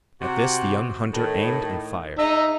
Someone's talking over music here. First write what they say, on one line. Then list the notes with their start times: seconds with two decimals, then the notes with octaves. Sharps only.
At this the young hunter aimed and fired.
0.22 C3 F#4
1.13 A2 D#3
2.19 G#2 D#4 D#5 E5